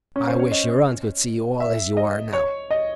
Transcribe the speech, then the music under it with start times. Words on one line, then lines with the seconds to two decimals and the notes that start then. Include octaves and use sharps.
I wish your aunt could see you all as you are now.
0.16 C#4
0.28 C5
0.39 C#5
0.52 D#5
1.60 E5
1.97 D#5
2.33 C#5
2.71 D#5